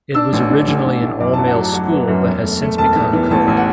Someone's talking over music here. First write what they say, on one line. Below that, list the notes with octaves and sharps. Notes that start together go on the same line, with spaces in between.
It was originally an all-male school, but has since become co-ed.
D4 E6
A1
D4
A1
A1
A2
F#2 D6
A5
F#3
F#5
F#3 A5
F#3
B3
F#2
E1
A3
A3
E1 A5
E2
E3
A1 A5
A1
F#5